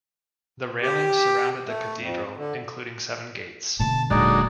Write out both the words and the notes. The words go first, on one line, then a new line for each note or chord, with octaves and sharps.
The railings surrounded the cathedral, including seven gates.
G4
A3
F2
D3
B2 D3 A5
D#1 A#2 D3 F#3 G#3 D#4 D5